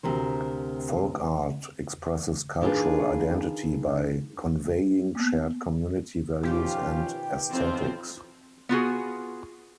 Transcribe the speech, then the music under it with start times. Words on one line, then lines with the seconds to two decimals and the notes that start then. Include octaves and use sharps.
Folk art expresses cultural identity by conveying shared community values and aesthetics.
0.03 D2 C3 A#4 C5
2.61 D#3 D4 F4 G4 G#4 B4
5.15 A#3 B3
6.43 B2 D#3 F3 C#4 F4 G4 B4
7.52 B1 F2 E3 C4 F4 C5
8.69 B3 F4 F#4 G#4